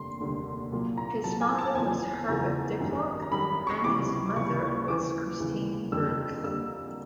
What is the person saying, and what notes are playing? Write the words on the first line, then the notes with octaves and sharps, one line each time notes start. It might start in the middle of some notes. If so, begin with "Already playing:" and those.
His father was Herbert Diplock and his mother was Christine Brooke.
Already playing: F1 D#2 D3 G3 C6
F1 D#2 D3 G3
C2 A#2 F#3 A#3
A#5
C2 A#2 F#3 A#3 A5
G#5
A5
F#1 E2 C#3 F3 G#5
F#1 E2 C#3 F3 A#5
G#1 F#2 D#3 G3
A#5
G#1 F#2 D#3 G3 B5
C#6
C#2 C3 E3 G3 D6
C#2 C3 E3 G3 C#6
D#2 C#3 E3 D6
D#2 C#3 E3
F2 D3 G3 A#3 E6
F2 D3 G3 A#3 E6